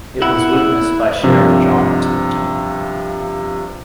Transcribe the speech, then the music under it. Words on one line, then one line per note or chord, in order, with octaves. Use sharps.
It was witnessed by Sheriff John Tipton.
E4 F#5
G2 C3 F3